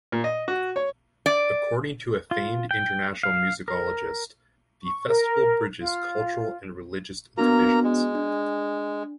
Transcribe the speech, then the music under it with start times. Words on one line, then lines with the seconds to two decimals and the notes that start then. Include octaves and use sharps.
According to a famed international musicologist, the Festival bridges cultural and religious divisions.
0.12 A#2
0.24 D#5
0.48 F#4
0.76 C#5
1.26 D5
2.31 F4
2.71 G5
3.23 F5
3.68 A#4
4.81 C#6
5.06 A#4
5.78 F4
7.38 A#3 B3 D4 F#4 A#5
7.84 G#3
8.15 D4